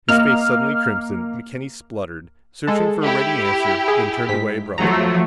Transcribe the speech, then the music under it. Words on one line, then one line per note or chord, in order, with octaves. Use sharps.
His face suddenly crimson, McKenny spluttered, searching for a ready answer, then turned away abruptly.
A#3 D#5 F5 F6
G#3 A4
E4 G4
G#4
G#2 B6
F3 F#3 A3 A#5